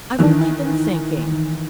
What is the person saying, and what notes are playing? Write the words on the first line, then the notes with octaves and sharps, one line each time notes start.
"I've only been thinking."
D#3 E3